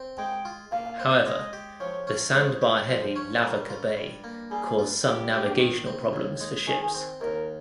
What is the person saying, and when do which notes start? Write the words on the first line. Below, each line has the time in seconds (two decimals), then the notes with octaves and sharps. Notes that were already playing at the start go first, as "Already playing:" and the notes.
However, the sandbar-heavy Lavaca Bay caused some navigational problems for ships.
Already playing: C4
0.18 G#3 G5
0.45 F4
0.72 A#2 F5
0.99 C4
1.26 G#3 D#5
1.53 G4
1.80 F3 C#5
2.07 C#4
2.34 G#3 C5
2.61 G4
2.88 F3 C5
3.16 C#4
3.43 G3 A#4
3.70 F4
3.97 G2
4.24 A#3
4.51 G3 G#4
4.79 F4
5.05 G2 G4
5.32 A#3
5.59 D#3
5.86 C4
6.13 D#2
6.41 G#3
6.68 D#3 G#4
6.95 C4
7.21 D#2 A#4